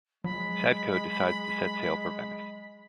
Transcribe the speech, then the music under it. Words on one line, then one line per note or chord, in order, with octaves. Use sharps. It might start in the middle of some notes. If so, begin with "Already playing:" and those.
Sadko decides to set sail for Venice.
F#3 G#3 B5